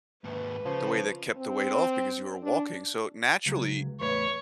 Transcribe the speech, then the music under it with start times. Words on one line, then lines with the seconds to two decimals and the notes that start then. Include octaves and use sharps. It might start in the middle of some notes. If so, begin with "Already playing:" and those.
the way that kept the weight off because you were walking, so, naturally,
0.24 D#2 G#2 B4
0.66 C#3 F3
1.37 C4
2.43 D4
3.46 C#2 F#3
4.00 E2 A2 B4 C#5